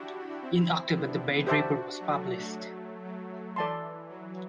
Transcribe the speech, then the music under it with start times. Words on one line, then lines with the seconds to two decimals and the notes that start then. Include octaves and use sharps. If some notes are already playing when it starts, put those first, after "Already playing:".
In October, the Baird report was published.
Already playing: D4 E4 F#4 G4
0.42 C4 E4
0.95 B3 D4
1.47 D4 F#4 G4 C5 E5 A5
1.99 F#3 A3
2.52 F#3 A3
3.04 F#3
3.56 E3 A4 D5 A5 C6
4.09 F#3